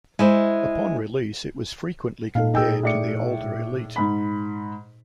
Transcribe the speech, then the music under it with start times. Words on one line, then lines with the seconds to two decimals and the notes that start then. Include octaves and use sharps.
Upon release, it was frequently compared to the older Elite.
0.19 G#3 E4 C5
2.35 A#2 D#4 A4 F5
2.54 D#4 G#4 D#5 G5 E6
2.83 A2 D5 C#7
3.96 G#2 B5